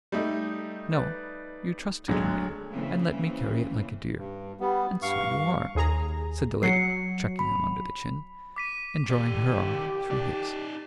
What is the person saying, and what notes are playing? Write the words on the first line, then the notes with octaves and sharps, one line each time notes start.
'No; you trusted in me, and let me carry it like a dear, and so you are,' said the lady, chucking him under the chin, and drawing her arm through his.
G3 A3 D#4
B4 D5
D2 D3 F#3 G#3
C#3 E3 A#3 C4
G2
G3 B3
G2 F5 C#6
D#2 G#4 A#5
F#3 C7 C#7
B5
D6 B6 D#7
D#3 G4 D5
D#4 D5